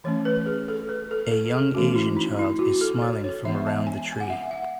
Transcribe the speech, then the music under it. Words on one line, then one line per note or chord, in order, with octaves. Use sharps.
A young Asian child is smiling from around the tree.
E3 A3 C#4 C#5
B4
G#4
A4
B4
A4
A4
G#4
E3 A3 C#4 F#4
E4
D#4
E4
F#4
A4
C#5
C#5
E3 G#3 B3 E5
A5
G#5
G#5
F#5
E5
F#5